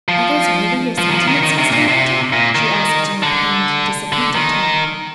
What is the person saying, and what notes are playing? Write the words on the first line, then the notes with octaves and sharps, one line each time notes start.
"Are those really your sentiments, Mr. Egerton?" she asked, in a pained, disappointed tone.
F3
F3
D#3
F3
D#3
D#3
C3
A#2
C3
A#2
D#3
D3
D3
D#3